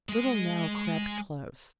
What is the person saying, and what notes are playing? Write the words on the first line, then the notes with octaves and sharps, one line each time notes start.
Little Nell crept close.
G#3 D#5